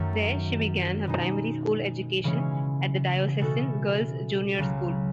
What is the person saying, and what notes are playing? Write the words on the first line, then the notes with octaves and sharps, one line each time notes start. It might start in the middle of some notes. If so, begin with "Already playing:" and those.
There, she began her primary school education, at the Diocesan Girls' Junior School.
Already playing: F#2 D#3 A3
B2 G#3 D#4
C#3 E3 G#3 C#4
B2 A3 C#4 F#4 A4
C#2 C#3 F#3